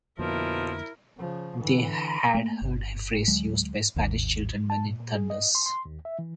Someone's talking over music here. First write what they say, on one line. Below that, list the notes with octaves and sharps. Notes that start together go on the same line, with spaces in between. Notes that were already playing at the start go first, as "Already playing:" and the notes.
They had heard a phrase used by Spanish children when it thunders.
F2 B2 D3 F3 A#3 E4 A#4
C#3 F3
D3 E3
A3 A#3
G1
D2 F#3 G#3
G#1 D#2
A5
A#2
A#2
G#4
D#5
C6
C6
D#2
E5
E3